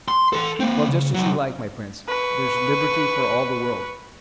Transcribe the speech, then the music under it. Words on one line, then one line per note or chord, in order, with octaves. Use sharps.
Well, just as you like, my prince; there's liberty for all the world.
C6
A4 C6
A#3 C4
C#3
C2 F#3
B4 C#6